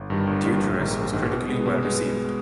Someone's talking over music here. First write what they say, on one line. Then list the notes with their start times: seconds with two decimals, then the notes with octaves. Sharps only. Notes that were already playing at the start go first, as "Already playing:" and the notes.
"Deuteros" was critically well received.
Already playing: G1
0.10 G2 D#3 G3
0.27 G1
0.45 G2 D#3 G3
0.62 A#1
0.79 G#2 D#3
0.97 A#1
1.13 G#2 D#3
1.31 B2
1.49 G#3 B3
1.66 B2
1.83 G#3 B3